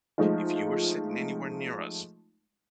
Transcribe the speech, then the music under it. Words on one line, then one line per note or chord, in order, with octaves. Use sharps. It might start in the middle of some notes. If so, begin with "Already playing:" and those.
if you were sitting anywhere near us
F3 G#3 A3 D#4 F4